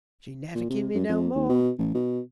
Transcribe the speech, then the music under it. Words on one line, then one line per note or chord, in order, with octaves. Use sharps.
"She never give me no more."
A#2
C3
F#2
F2
D#2
B2
A1
B2